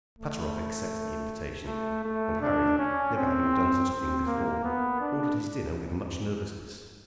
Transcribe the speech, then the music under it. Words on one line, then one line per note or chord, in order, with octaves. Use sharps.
Pateroff accepted the invitation, and Harry, never having done such a thing before, ordered his dinner with much nervousness.
A3
A3
A3
D4
C#4
C4
C4
A#3
B3
D4